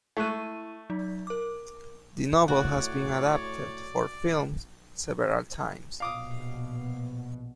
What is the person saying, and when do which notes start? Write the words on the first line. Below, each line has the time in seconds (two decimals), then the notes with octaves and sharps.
The novel has been adapted for film several times.
0.17 A3 E4 C#6 F#6 D#7
0.90 F#3 D#4
1.27 A#4 D6
2.48 A2 F#4 C#5 D5
6.00 A#1 B2 F5 D6 D#6